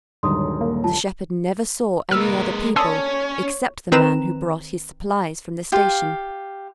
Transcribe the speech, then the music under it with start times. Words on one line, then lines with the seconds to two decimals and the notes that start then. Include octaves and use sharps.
The shepherd never saw any other people except the man who brought his supplies from the station.
0.23 D#1 G2 D3 F#3 G#3 D#4 C6 D#6
0.61 A#3
0.84 F4 A5
2.11 G#3 A#3 B4 E6 F6
2.76 C#4 A4 C#5 D5 A5 C6 D#6 E6
3.92 D#3 C4 B4 A#5 E7
5.72 F4 G4 F5